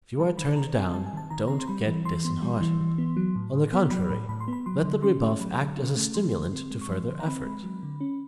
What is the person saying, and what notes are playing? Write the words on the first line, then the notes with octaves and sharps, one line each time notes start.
If you are turned down don't get disheartened; on the contrary, let the rebuff act as a stimulant to further effort.
G3 A5
D#3 B5
D#3 A#5
C4 G#5
G3 A5
G#5
D#3 A5
D#3 A#5
B5
C4 A#5
C6
G3 B5
E3
E3 C6
B3
G3
E3
E3
B3
F#3
A2
A2
B3
F#3 B5
A2
A2 B5
C6
B3 B5
F#3 C6
D3
C#4 C6
A3
F#3 B5
D3
C#4
A3
F3 C6
D3
C4
G#3
C#6
F3 C6
D3
A#5
C4 B5
G#3
F#3
D3
C#4